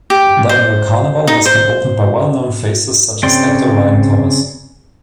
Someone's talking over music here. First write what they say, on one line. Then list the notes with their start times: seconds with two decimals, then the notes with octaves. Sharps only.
The annual carnival has been opened by well-known faces such as actor Ryan Thomas.
0.10 G4
0.49 C5
1.27 D#4
1.46 C5
3.23 C#3 C4 D5 G5 C6